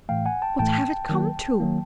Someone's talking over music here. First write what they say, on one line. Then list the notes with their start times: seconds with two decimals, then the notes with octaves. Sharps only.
"What have it come to?"
0.09 A2 E3 A3 F5 G5
0.26 F#5 G#5
0.42 G5 A5
0.59 A2 E3 A3 G5 A5
1.09 D#3 F#3 A#3
1.60 D#3 F#3 A#3